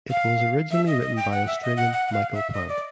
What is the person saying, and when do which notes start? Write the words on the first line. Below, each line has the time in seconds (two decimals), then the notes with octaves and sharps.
It was originally written by Australian Michael Plant.
0.11 F5
0.71 E5
0.87 D#5
1.02 D#5
1.17 G5
1.32 F#5
1.47 E5
1.62 D#5
1.77 F#5
1.93 F#5
2.07 F#5
2.12 F5
2.33 E5
2.53 D#5
2.69 D5